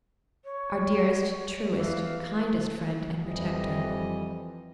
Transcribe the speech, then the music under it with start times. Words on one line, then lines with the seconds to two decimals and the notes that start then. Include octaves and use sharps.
Our dearest, truest, kindest friend and protector?
0.44 C#5
1.78 E3 F5
3.23 F2 E3 G3 D#5